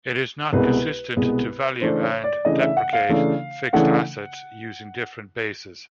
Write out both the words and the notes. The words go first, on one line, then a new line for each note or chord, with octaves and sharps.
It is not consistent to value and depreciate fixed assets using different bases.
C2 B2 G#3 B3 B4
C2 B2 G#3 B3
C#3 E3 A3 D4 C5
C#5
D5
C#3 E3 A3 D4 D#5
E5
F#5
F5
C#3 E3 A3 D4
C#3 E3 A3 D4 F#5